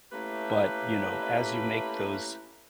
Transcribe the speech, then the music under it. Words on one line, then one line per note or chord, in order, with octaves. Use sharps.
But, you know, as you make those,
A3 A#3 C#4 E4 G4 B4